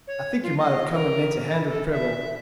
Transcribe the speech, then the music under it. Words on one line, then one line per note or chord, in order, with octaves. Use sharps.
'I think you might have come and lent a hand with Prebble.
C#5
F4
D#5
A#4
E4
A4
E5